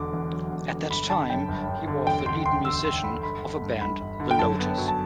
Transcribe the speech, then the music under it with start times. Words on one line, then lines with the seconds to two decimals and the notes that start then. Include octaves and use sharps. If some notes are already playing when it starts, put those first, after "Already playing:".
At that time, he was the lead musician of a band The Lotus.
Already playing: E1 D3 D6
0.13 E2
0.32 F#3
0.52 E1
0.72 D3
0.90 G1 B5
1.10 D3 A5
1.30 F#2 G5
1.49 G1
1.68 G1
1.87 D3
2.07 E1 G5
2.26 D3 C6
2.46 D2 C6
2.65 E1 E6
2.84 E1 C6
3.04 D3 B5
3.23 G1 B5
3.43 D3
3.62 G2
3.81 G1 B5
4.01 G1
4.20 D3
4.31 G5
4.39 F#2 A5
4.59 B3
4.78 F#3
4.88 A5